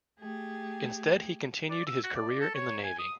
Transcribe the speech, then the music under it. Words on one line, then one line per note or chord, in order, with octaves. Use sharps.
Instead he continued his career in the navy.
A3 G4 G#4
D5
E6
F#4
D5
A4
C#5
G#5
D#6